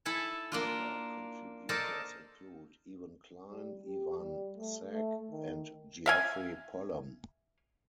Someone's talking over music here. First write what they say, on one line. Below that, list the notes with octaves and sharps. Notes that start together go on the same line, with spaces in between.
Other contributors include Ewan Klein, Ivan Sag, and Geoffrey Pullum.
E4 A4 G#5 A5
A#3 D4 F4
A4 A#4 C5 D5 D#5 A5
G3
G4
G3
A3
A3
D#3
E5 F5 G#5